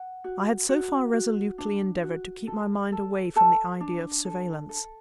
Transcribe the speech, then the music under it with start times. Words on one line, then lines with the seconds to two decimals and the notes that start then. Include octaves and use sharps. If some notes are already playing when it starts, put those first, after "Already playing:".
I had so far resolutely endeavoured to keep my mind away from the idea of surveillance.
Already playing: F#5
0.24 F#4
0.69 F#4
1.13 F#4
1.58 D4
2.03 F#4
2.47 A4
2.92 A4
3.36 A4 A5
3.81 D4
4.25 A4
4.69 A4